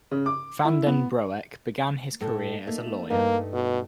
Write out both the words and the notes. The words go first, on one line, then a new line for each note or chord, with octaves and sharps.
Van den Broek began his career as a lawyer.
C#3
D6
E4
B3
A2 A4 A5
A3 A#3 D#4
G2 A3 A#3 D#4
B2